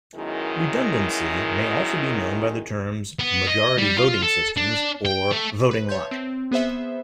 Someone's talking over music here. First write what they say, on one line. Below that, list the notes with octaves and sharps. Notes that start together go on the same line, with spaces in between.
Redundancy may also be known by the terms "majority voting systems" or "voting logic".
F#2 B2 D#3 G#3 E4
B3
D#5
G3
F4
A4
D4
G5
A3
B4
C#5 E5 A5 C6 G6
C4
B3 G#4 C5 E5